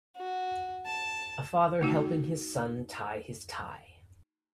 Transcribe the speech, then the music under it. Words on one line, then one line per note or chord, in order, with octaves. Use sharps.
A father helping his son tie his tie.
F#4
A5
A3 D#4 F#4